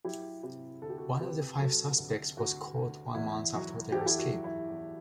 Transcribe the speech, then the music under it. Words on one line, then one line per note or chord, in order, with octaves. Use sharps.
One of the five suspects was caught one month after their escape.
F#3 E4 G4
C3 E4 G4
D2 A4
G4
F#4 A4
C3 G4 B4
F#3 F#4 A4
D2
D2 F#4
D2
E2 E4
F#3 F#4
E2 G4
A4
E4 G4
F#4
F#3
E4
E2